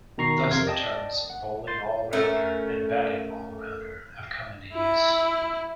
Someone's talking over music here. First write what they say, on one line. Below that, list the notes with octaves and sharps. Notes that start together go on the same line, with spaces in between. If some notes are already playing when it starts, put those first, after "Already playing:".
Thus the terms "bowling all-rounder" and "batting all-rounder" have come into use.
B2 D#3 A#5 C#6 C7
F2 C3 A#4 F5 C6 G#6
D5 D#5 G5 A5 D#6
F#5
C6 G6 A6
A3 C#4 A#4
E4